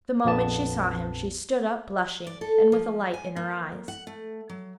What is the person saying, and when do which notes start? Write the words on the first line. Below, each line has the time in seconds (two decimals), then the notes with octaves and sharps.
The moment she saw him she stood up blushing, and with a light in her eyes.
0.25 A#1 F2 B3 A5
2.27 D5
2.41 A4
2.72 F3
3.14 G#5
3.36 A#3
3.88 F#5
4.07 A3
4.49 F#3